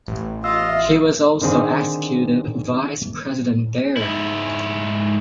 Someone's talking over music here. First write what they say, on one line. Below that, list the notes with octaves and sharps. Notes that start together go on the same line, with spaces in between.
He was also executive vice president there.
A1
F4 D#5 F5 E6
E5
D3 D#3 C4 G#4
G#2 E4